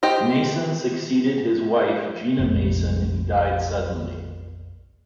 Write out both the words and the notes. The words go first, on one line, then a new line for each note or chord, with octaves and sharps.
Mason succeeded his wife Gina Mason who died suddenly.
G4 C5 D#5
F1 A#1